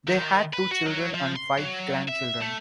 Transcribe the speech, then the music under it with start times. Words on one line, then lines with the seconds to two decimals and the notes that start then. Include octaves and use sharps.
They had two children and five grandchildren.
0.07 D#3
0.53 B4
0.71 F#4
0.86 F#3
1.14 F3
1.36 C6
1.57 F#3
2.08 E5
2.41 A3